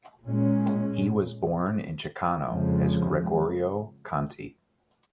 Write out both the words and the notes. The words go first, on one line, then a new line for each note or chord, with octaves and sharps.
He was born in Ceccano as Gregorio Conti.
A#2 G#3 C#4
F2 C#3 F3 G#3